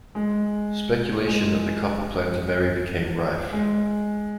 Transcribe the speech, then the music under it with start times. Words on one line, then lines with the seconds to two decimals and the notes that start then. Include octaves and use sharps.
Speculation that the couple planned to marry became rife.
0.15 G#3
1.27 G#3
3.53 G#3